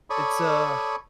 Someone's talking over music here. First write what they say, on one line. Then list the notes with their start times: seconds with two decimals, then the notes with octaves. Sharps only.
It's a
0.10 A4 C#5 D5 B5 C#6 D#6